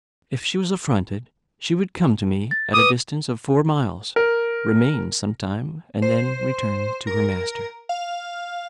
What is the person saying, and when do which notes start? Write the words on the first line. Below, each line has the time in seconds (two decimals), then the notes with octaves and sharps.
If she was affronted she would come to me, at a distance of four miles, remain some time, and then return to her master.
2.51 A6
2.74 B4 D6 D#6
4.16 A#4
6.02 C5
7.07 A#4
7.89 F5